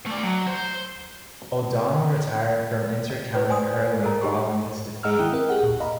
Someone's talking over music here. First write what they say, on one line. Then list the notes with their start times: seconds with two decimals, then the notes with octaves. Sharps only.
O'Donnell retired from inter-county hurling following this defeat.
0.06 A3 D5
0.24 F#3
0.48 C5
3.10 D#5
3.32 E4 B4 C#5 D5
3.48 C5 D5 G#5 C6 D#6
3.72 D5
4.04 A4 A#4 C#5 D#5 A#5
4.21 D#4 G4 C6 C#6
5.03 G#4 D#5 F#5 A#5 E6 F6
5.19 D#3 E4 G5 D#6 F#6
5.32 C4 A#4
5.49 G4 G#4 F#5
5.63 A#2
5.80 D#5 F5 A#5 B5